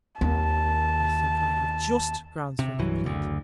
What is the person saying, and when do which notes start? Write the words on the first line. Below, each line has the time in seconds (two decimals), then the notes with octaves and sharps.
I think I have just Grounds for Complaint.
0.21 D#2 D#3 A5
2.59 C3
2.79 C2 G2 E3 F#3
3.04 F#1 D2